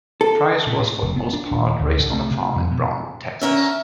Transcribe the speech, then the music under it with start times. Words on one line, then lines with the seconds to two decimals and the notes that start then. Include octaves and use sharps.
Price was for the most part raised on a farm in Brownwood, Texas.
0.21 A4
0.67 A#2
0.79 A2
1.02 F1
1.16 B3
1.33 D4
1.51 D#1
1.81 D2
1.99 C2
2.14 A3
2.31 C3
2.56 F2
2.71 B2
3.41 D3 C#4 A#4 E5